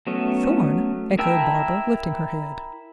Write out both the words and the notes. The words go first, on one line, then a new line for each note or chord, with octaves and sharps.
"Thorn!" echoed Barbara, lifting her head.
F#3 A3 B3 C#4
E4 A#4 G5 A5 E6